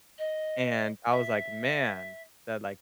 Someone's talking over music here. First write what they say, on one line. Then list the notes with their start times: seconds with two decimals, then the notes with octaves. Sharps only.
And I was like, "Man," that, like,
0.18 D#5
1.11 E5